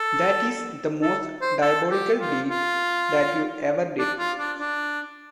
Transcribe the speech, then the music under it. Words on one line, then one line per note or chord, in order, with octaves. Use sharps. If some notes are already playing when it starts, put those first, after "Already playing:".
That is the most diabolical deed that ever you did.
Already playing: A4
A4
C5
A4
G4
F4
F4
D4
F4
D4
D4